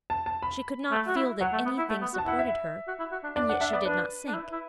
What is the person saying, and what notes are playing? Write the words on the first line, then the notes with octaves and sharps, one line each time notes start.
She could not feel that any thing supported her, and yet she did not sink.
A5
A5
B5
A3
F#4
E4
F#3 F#5
A3
B3
E4
A3
B3
F#4
A5
E4 F#5
E5
F#4
E4
F#4
D4
D4 D5
D4 F#5
D4 E5
B3 D5
D4 B4
D4
E4
E4